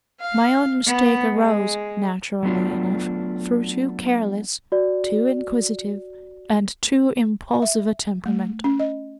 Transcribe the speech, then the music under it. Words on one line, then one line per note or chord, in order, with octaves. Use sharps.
My own mistake arose, naturally enough, through too careless, too inquisitive, and too impulsive a temperament.
F5
B3
G#3
F#3 A3 B3 D4 F4
F#4 D5
E5
A3
C#4
D#5